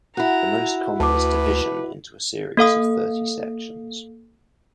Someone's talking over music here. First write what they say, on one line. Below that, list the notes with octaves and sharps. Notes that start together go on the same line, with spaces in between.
The most common is division into a series of thirty sections.
E4 F#4 A#5
D2 B4 A5 D6
A#3 A4 F5 D#6